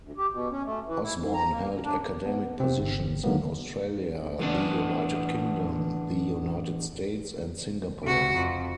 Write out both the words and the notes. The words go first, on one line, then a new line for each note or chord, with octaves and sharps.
Osborne held academic positions in Australia, the United Kingdom, the United States and Singapore.
D2
G4
B2
C#4
A3
E3
E4
G#2
A#5
A#3
D2
D4
B3
C3 C4
G1
D3 D#3 F#3 G#3 A#3 B3
E2 A2 B3 D4 D5
C3 F#4
F2